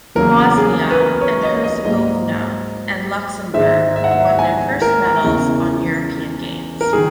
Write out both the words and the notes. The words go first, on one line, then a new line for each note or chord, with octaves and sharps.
Bosnia and Herzegovina and Luxembourg won their first medals on European Games.
E2 C#3 F#3 A#3 A#4
G#4
B4
A#4
C#5
D#5
D#5
G#2 F#3 A#3 D#5
G#2 D#3 G#3 E5
E5
F#5
E5
G#5
A#4
E2 C#3 E3
A#4
D#3 G#4